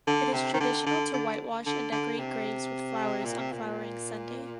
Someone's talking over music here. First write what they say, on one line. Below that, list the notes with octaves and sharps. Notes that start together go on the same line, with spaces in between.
It is traditional to whitewash and decorate graves with flowers on Flowering Sunday.
D3
C3
D#3
D3
D3
D3
D3
D3
C3
A#2
C3
A#2